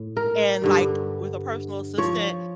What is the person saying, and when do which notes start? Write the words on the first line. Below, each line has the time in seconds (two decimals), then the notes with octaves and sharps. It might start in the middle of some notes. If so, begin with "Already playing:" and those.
and, like, with a personal assistant,
Already playing: A2
0.17 A#4
0.62 G2 D3 G3
1.98 F3 C#5